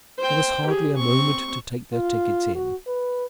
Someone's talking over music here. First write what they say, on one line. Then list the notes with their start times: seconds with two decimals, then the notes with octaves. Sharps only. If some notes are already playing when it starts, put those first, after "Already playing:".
There was hardly a moment to take their tickets in.
0.18 C5 G5
0.66 G4 G#4
0.97 C4 C#6
1.93 F4
2.55 F#4
2.87 B4